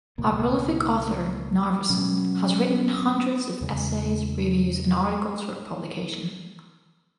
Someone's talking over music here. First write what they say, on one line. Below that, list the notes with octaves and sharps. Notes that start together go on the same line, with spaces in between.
A prolific author, Narveson has written hundreds of essays, reviews and articles for publication.
C#2 B2 A#3
B2 F#3 C#4
E2 C#3 G#3